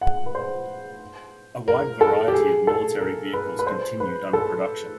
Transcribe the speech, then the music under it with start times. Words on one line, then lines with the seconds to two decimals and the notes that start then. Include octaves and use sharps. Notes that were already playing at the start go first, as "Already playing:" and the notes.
A wide variety of military vehicles continued under production.
0.01 F#5
0.26 B4
0.35 C5
1.68 A#4
2.01 A4
2.28 G4
2.34 G#4
2.67 A4
3.01 A#4
3.33 B4
3.59 B4
3.67 C5
4.00 B4
4.33 A4